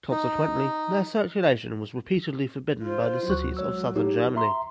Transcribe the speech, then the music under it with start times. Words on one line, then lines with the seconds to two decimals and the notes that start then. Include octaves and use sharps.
Consequently their circulation was repeatedly forbidden by the cities of Southern Germany.
0.11 D#4
2.83 F4 C5
3.28 D2 F#3 C#6 F#6
3.57 G#3 C#5 E6
3.96 D#4 G4 C#5
4.36 E5 A#5 C6